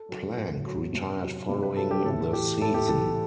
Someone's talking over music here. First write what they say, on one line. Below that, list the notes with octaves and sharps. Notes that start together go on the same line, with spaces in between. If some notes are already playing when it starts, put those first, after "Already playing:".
Plank retired following the season.
Already playing: A4
F#3
A2
F#3
C3
F#3
C3
B4
F#3 A4
G4
A2 A4
E3 G4
A2 A4
G4
E3 A4